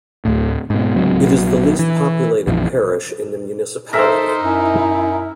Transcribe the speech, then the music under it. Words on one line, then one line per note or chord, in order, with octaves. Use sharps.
It is the least populated parish in the municipality.
D2 A2
G#2 B2
D1 C#2 F#3 C4
A#1 F#3
E3
A#1 F2 E3
D#4 A4 A#4 C5 E5
F#2 E4